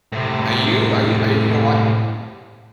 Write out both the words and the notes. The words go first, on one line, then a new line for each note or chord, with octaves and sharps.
Are you are you are you gonna wa
A2 C3